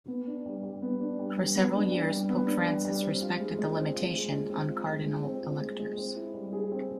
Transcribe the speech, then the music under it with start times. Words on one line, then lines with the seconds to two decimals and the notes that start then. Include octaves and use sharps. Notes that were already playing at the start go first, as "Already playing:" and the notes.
For several years Pope Francis respected the limitation on cardinal electors.
0.08 B3
0.27 D4
0.46 G3
0.63 G3
0.82 B3
1.00 D4
1.19 G3
1.37 G3
1.56 B3
1.74 D4
1.92 G3
2.10 G3
2.29 B3
2.47 D4
2.67 G3
2.85 G3
3.03 C4
3.22 F4
3.40 G#3
3.59 G#3
3.77 C4
3.95 F4
4.13 G#3
4.32 G#3
4.50 C4
4.69 F4
4.87 G#3
5.06 G#3
5.24 C4
5.43 F4
5.61 G#3
5.80 G#3
5.97 C4
6.16 E4
6.34 G3
6.53 G#4
6.71 C4